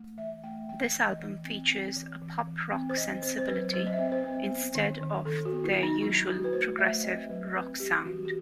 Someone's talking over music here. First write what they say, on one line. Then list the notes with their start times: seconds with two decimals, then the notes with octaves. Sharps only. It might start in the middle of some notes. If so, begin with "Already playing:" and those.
This album features a pop rock sensibility, instead of their usual progressive rock sound.
Already playing: A3
0.18 E3 E5
0.43 A3 G5
0.68 E3 G5
0.94 E3
1.06 D#5
1.19 E3
1.45 C4
1.71 C4
1.96 E3
2.22 E3
2.47 E3
2.72 C4
2.89 C5
2.97 C4 D#5
3.22 C4 C5
3.38 C5
3.48 F#3 B4
3.73 F#3 C5
3.87 D#5
3.93 E5
3.99 C4
4.12 C5
4.24 C4
4.50 B3
4.75 D#3
5.01 D#3
5.25 D#3 A4
5.45 F#4
5.52 B3
5.64 E4
5.77 B3
5.83 D#4
6.02 F#3 E4
6.27 F#3 F#4
6.44 B4
6.53 A3 C5
6.78 A3 E5
7.04 C4 D#5
7.29 F#3 B4
7.55 C4 B4
7.80 G3 G4
8.05 E3 F#4
8.25 G4